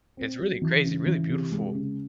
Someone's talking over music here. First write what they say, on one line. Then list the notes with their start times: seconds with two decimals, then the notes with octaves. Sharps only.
It's really crazy, really beautiful,
0.17 C4
0.39 F#3
0.62 E3
0.84 C#3
1.06 E3
1.29 C3
1.51 G#3
1.74 C#3